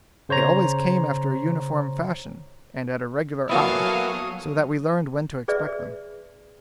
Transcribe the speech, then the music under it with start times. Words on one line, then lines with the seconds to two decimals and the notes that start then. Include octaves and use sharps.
They always came after a uniform fashion and at a regular hour, so that we learned when to expect them.
0.29 C#3 C5 C#5 A#5
3.50 F#3 A#3 B3 E4 A4 F5 G#5 D#6
5.48 G#4 B4 D5 E5